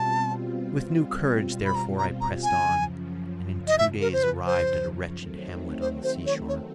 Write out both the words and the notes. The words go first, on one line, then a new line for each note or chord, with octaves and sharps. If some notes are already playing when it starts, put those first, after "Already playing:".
With new courage, therefore, I pressed on, and in two days arrived at a wretched hamlet on the seashore.
Already playing: B2 G3 C4 F4 A5
B5
A#5
A#5
A#5
F#2 C#3 F3 G#5
D#5
E5
A#4
C5
B4
C5
D#3 F#3 A3 C4
C5
C5
C#5
C#5